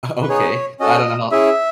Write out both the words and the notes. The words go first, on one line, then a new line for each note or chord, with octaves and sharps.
Okay. I don't know.
B4
B3 D#4 G#4 C#5
C#4 F#4 A4 D#5
C#4 E4 G#4 E5